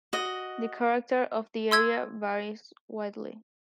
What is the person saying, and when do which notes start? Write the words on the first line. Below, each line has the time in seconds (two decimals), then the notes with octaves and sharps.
The character of the area varies widely.
0.13 F#4 D#5
1.71 C6 E6 G#6